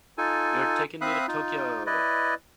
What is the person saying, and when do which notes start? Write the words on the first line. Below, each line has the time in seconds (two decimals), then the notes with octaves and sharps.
You're takin' me to Tokyo!
0.18 D#4 F4 A4 G#5
1.01 C4 E5 F5 B5 D#6 F#6
1.28 D#4 F4
1.86 E4 B4 D5 D#5